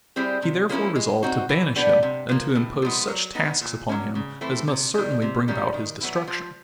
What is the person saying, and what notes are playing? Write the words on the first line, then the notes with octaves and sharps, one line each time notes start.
He therefore resolved to banish him and to impose such tasks upon him as must certainly bring about his destruction.
G3 C4 E4 G#4
C3
F3 A#3 C#4 E4
G#3
C4 D#4 F#4
E3
G3 B3 D4
C3
F3 A#3
A2
F3 G#3 B3
F#3
B3 D#4
A#2
F#3 A#3 C#4
C#3
E3 A3 C4 E4
C3
D#3 G3
C3
D#3 G3 A#3 C#4
D#3
F#3 B3 E4
F3